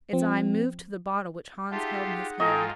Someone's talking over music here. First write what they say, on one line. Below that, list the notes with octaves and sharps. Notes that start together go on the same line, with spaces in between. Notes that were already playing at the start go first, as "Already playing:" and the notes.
Its eye moved to the bottle which Hans held in his hand.
F3 C4
D#4 F4 G4 G#4 E5 F#5 A5 C6
G#2 F4 A4 D#5 G5 G#5 A#5 C#6